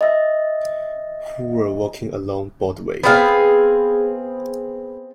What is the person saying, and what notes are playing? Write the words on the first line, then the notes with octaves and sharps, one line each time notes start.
Who were walking along Broadway.
D#5 E5
B3 C4 G#4 F5